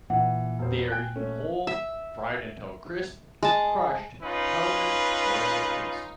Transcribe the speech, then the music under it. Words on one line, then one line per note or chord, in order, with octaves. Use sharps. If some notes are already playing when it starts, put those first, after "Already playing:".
They are eaten whole, fried until crisp, crushed, powdered or as a paste.
A#2 E3 F#5
E1 C5
G5 G#5 F#6
A3 C#4
E5
G#3 A5
C#4 D#4 F4 B4